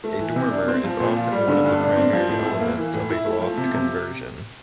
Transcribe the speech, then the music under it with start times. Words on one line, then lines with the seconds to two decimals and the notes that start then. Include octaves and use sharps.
A dormer is often one of the primary elements of a loft conversion.
0.04 A3
0.20 E3
0.36 C3
0.51 D4
0.68 C4
0.84 F3
1.00 A#2
1.16 F4
1.32 G3
1.48 D3
1.65 G2
1.81 D4
1.96 C4
2.13 F3
2.29 A2
2.45 E4
2.60 A#3
2.77 E3
2.93 A2
3.09 E4
3.25 A3
3.41 F3
3.57 C3
3.74 C3